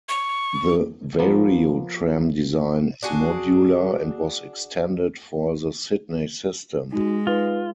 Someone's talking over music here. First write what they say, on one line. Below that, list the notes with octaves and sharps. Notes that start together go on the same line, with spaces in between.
The Variotram design is modular and was extended for the Sydney system.
C#6
F3 A#3 B3
D4 F#4 G#4
G#3 D#4 F#4
D#4 F4 B4